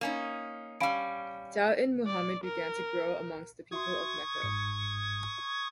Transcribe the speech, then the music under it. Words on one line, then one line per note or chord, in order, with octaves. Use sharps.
Doubt in Muhammad began to grow amongst the people of Mecca.
A#3 C#4 D#4
G3 C#4 F5 B5 D7
D5
A#4
F#4 E5 C6 C#6 D#6 G#6
G1 G#2 C#7